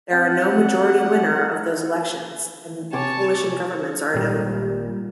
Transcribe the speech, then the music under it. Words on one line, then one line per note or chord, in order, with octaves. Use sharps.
There are no majority winner of those elections and coalition governments are inevitable.
C4 F#5
C3 C#5 G#5 A5 D6
G#1 A#2 G3